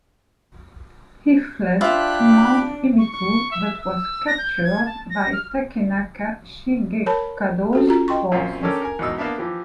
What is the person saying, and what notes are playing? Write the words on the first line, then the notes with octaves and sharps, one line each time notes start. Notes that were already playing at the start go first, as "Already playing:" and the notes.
He fled to Mount Ibuki, but was captured by Takenaka Shigekado's forces.
D4 F4 G4 C5 E5 B5 F#6
C#6
C#6
E5
E6
A#6
G6
G#6
A5
A#6
F6
A#4 C#5 A5 B5
C#4 F#4 A4
F4 G4 A#5
D#5 G5 C6 C#6
F#2 A#2 C4 F4
C#4 D4 G4 A4 A#4 C#5
A#4 G#5
E2 G#2 B2 D#4 E6
A#3 B3 D4 E5
E3 F3 G4